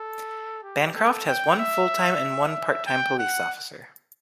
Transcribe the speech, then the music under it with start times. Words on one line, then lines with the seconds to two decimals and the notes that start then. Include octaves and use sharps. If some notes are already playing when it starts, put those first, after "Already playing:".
Bancroft has one full-time and one part-time police officer.
Already playing: A4
0.63 G4
0.95 A4
1.27 G5
1.59 E5
2.86 G5
3.19 F#5